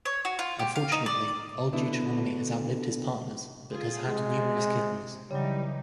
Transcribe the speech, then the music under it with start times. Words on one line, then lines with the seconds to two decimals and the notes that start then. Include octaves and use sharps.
Unfortunately, Old Deuteronomy has outlived his partners, but has had numerous kittens.
0.05 C#5
0.25 F#4
0.39 F4
0.59 G4
0.76 F5
0.92 D#4
1.06 D5
1.73 B2 D3 B3 D4 E4
3.72 F4 G#4
4.10 C3 G#3
5.31 C#3 E3 F#3 G3 D#4